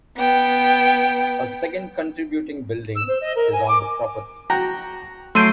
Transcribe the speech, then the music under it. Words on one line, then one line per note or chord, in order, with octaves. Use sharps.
A second contributing building is on the property.
B3 G5
E6
C5
D#5
A#4
G#5
D6
F#4 G5 A#5
F#3 A3 C6 E6 G6 D7 D#7